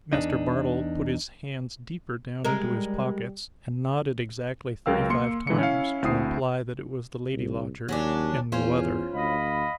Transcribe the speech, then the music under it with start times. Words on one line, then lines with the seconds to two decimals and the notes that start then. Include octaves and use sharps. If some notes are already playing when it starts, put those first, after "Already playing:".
Master Bardell put his hands deeper down into his pockets, and nodded exactly thirty-five times, to imply that it was the lady-lodger, and no other.
0.13 E2 G#2 D4 D#4
2.45 G3 G#3 A#4
4.86 C#2 F#3 A#4 F5 G5 E6
5.10 A#3 C6 C#7
5.47 D3 E3 G#3 C#7
5.59 C#4 E4 F5
6.03 D2 C4 E4 D#6 C7
7.33 C2
7.89 D#2 F#3 C#4 D4
8.52 E2 C#4 F4 C5
9.14 D2 D#5 F5 B5